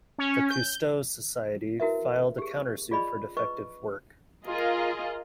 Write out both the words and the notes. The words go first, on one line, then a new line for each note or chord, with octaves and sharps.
The Cousteau Society filed a counter-suit for defective work.
C#4
G6
E4 F#4 A#4 B4 E5
G4 G#4
F4 G#4 D5 D#5 B5
B4 D#5 C#6
F4 G#4 A#4 D#5 F5